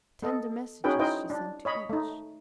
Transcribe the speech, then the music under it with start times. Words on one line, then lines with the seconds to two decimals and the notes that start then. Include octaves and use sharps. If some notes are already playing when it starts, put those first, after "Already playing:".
Tender messages she sent to each.
0.22 B3 A4 D#5
0.84 C#4 D#4 F#4 G#4 B4 G5
0.99 D#4 E4 B4 C5 D#5 G5
1.30 D4
1.65 C#5 D#5 B5
1.89 A3 D#4